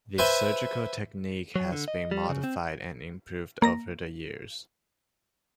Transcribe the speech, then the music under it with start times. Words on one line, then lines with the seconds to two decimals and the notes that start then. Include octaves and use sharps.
The surgical technique has been modified and improved over the years.
0.18 B4 C5 E5 G#5 B5
1.56 F#3
1.72 D3
1.88 D#5
2.11 G3
2.29 C#3
2.44 C4
3.62 A#3 A#5 A#6